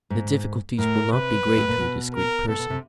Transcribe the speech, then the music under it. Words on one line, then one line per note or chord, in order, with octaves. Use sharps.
The difficulties will not be great to a discreet person.
G#2
A2 A#4
C3 B4
A2
A2
A#2
B2
A#4
B2 A4
B2
C3